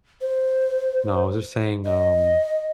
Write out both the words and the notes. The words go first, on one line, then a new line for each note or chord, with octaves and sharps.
No, I was just saying, um,
C5
D#5